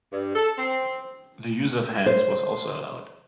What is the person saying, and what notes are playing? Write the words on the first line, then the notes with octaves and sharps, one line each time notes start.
The use of hands was also allowed.
G2
A4
C4
C5